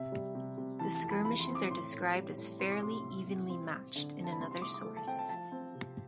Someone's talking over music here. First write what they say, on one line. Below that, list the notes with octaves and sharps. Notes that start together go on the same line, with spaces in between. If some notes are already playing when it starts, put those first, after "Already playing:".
The skirmishes are described as fairly evenly matched in another source.
Already playing: C3 E5
G3
C3
C3
E3 A5
A5
F2
B5
E3 B5
C6
C4
D6
A2 C6
A2
G3
A2
C2 C6
D6
C3 C6
C6
C2
C2
C4 C6
C4
D3
C4
A5
B5
C2 C6
C6
C2 D6
D6
A3
A5
C4 G5
A5
F3 A5
C4
C3